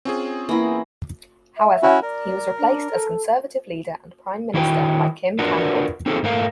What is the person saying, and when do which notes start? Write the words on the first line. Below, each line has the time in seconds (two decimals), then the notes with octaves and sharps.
However, he was replaced as Conservative leader and prime minister by Kim Campbell.
0.05 C4 C#4 F4 G#4
0.49 E3 A#3 B3 E4 A#4
1.57 E5
1.83 C#4 E4 F#4
2.02 A#4 D5
2.58 D4
2.91 A4
4.54 D#3 E4 F#4 E5 G5
5.39 D4 F4 F#4 A#4 B4
6.06 C4 D#4 F4 G#4 A4
6.23 G#2 A3 A#4 F5